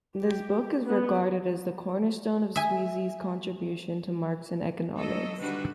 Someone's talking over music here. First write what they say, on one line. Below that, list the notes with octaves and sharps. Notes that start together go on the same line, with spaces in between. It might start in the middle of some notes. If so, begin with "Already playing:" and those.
This book is regarded as the cornerstone of Sweezy's contribution to Marxian economics.
G4
B3
E5 G#5
F#3 A4 D#5
D3 D#3 G3 D4 F#4 B4